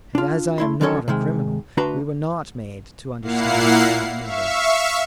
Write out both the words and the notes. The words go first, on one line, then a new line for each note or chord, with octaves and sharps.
"And as I am not a criminal we were not made to understand one another."
D4 F4
A3 E4 C6
D3 D#3 F#3 C#4 A4 C#5
C3 D#3 G#3
D2 D4 F#4 B4 A#5 C6
A#2 A#3 E4 F5 F#5 C7
E5 F5 C#6